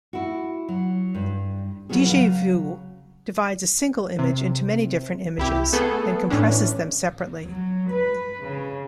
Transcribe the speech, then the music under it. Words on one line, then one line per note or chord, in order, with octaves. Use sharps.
DjVu divides a single image into many different images, then compresses them separately.
E4 F#4
F#3
G2
B2 E3 F#3 B3 C#4 G#4
C#3 F#3 F5
C3
C2 E4 G4
A3 B3 G#4 A4
A2 E3 C#4 D4
F#3
B4
C#3